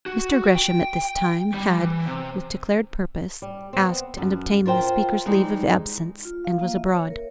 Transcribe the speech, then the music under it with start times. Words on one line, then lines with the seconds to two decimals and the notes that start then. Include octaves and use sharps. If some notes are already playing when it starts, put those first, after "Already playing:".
Mr. Gresham at this time had, with declared purpose, asked and obtained the Speaker's leave of absence and was abroad.
0.06 F#4
0.55 G5
1.54 G3
1.79 E3
2.07 C3
3.42 G3
3.73 B3 C4
4.17 F#2
4.66 F4 A#4 C5 G5
5.26 E3 G3 G#3 D#4 G#4
6.25 F4
6.45 F5
6.61 A#3
6.75 E5
6.92 C#5
7.10 A#4